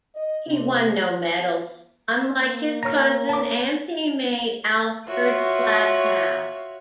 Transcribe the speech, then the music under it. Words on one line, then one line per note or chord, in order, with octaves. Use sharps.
He won no medals, unlike his cousin and teammate Alfred Flatow.
D#5
C3
A#3
C#5 A#5 F6 A#6
A5 D6
F4 F#4 C#5 E5